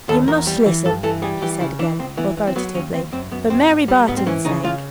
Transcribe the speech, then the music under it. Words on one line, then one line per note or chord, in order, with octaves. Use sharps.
"You must listen," she said again, authoritatively, "for Mary Barton's sake."
D#2 A4
E2 A#4
G3
E3
G2 A4
E3 A4
G3 G#4
E3 G4
C#3 E4
E3 D4
C#2 C4
E3 B3
E3
C4
F#3 B3
D#2 C#4
D#2 C4
F#2 C4
F#2 B3
F#2 C4
G#2
G3
G#2 B3
C4
E3 C#4
C#3 D#4
C#3 F4